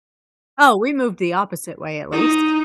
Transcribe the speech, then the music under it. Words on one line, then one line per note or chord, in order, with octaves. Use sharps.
Oh, we moved the opposite way at least.
D#4